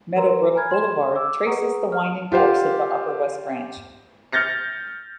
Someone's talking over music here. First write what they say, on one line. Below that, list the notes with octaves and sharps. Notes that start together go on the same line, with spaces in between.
Meadowbrook Boulevard traces the winding course of the upper west branch.
A#4 B4 A#5 C6
G#5 A#5 B5 F6 G#6
C6 G#6 E7
D6 E6
G#4 B4 F#5 A#5 C#6 D#6
F6
F4 G4 C5 F5 F#5
F6 G6 A6 A#6 C#7